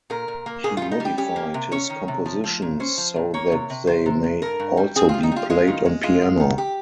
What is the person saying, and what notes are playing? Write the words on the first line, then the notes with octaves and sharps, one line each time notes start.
He modified his compositions so that they may also be played on piano.
A#2 A#4
A#2
A#3
A#2 G#4
F4
G3
D#4
G3 G4
C#4 G4
A#3
C3
C#4 C#5
D#3
C3
F3
F3
A#2
C#4 C5
F3
A#2
A#3 C#5
C3
C3
C3 C5
C3
C3
G2 A#4
G2
G3
C4 G#4
F4
G3
D#4
G3 F4
G#3 F4
D#3
G#3
G#3 F4
G#3
D#3
G4